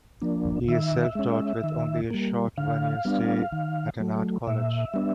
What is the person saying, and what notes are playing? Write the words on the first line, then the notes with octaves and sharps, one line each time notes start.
He is self-taught, with only a short one-year stay at an art college.
F3 A#3 D4
D#3 E5
G#3 C#4
D#3
G3 A#3
D3 F5
G3 B3 D4
D#3
F#3 A3
A#2 E5
G3 B3 D4